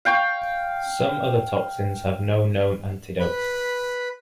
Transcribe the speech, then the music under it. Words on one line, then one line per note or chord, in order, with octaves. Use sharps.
Some other toxins have no known antidote.
F5 G5 C#6
B4 B5